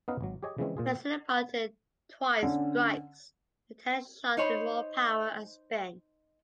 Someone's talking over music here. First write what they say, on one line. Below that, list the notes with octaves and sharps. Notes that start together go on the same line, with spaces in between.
Pressing a button twice strikes the tennis shot with more power and spin.
B3 C#4 D#4 D#5 F5 F#5
G#1 F#3
G4 G#4 C#5 D#5 G#5
C#3 E3 F3 G#3 C4 C#4
A#2 F4 G#4
D3 C#4
D#4 C5 C#5 B5